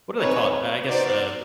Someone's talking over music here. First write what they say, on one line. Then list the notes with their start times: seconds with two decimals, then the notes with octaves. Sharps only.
what do they call it- I I guess a
0.20 C4 D#4 G#4 B4 C#5
0.88 B3 D#4 F#4 C5 D5